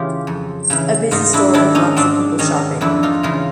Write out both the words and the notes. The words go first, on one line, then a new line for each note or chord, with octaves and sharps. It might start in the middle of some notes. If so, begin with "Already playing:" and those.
A busy store with lots of people shopping.
Already playing: C#3 E3 F4 G4
F2
C#3 E3
G#2 D#4 F4
D4 E4
D#3 D4 E4
C#4 D#4
G#2 C4 D4
D#3 C#4 D#4
F2 D4 E4
D#4 F4
C#3 E3 D#4 F4